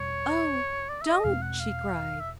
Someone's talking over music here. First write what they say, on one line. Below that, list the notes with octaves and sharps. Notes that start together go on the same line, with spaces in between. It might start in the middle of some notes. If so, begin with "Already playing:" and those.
"Oh, don't!" she cried.
Already playing: E2 B2 G3 C#5
D5
E5
D#5
E2 B2 G#3 C4 F5
F#5
F5
E5